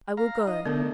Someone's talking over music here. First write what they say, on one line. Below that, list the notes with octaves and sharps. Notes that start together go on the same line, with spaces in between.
I will go.
F5 A#5
D#4 D#5
D3 A3 B3 D4 A#4